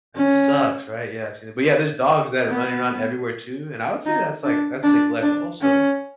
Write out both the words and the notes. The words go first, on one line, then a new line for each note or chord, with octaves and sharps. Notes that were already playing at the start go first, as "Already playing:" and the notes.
That sucks, right? Yeah, actually but, yeah, there's dogs that are running around everywhere, too, and I would say that's, like that's neglect also,
C#4
B3
D#4
D4
D4
D4
C#4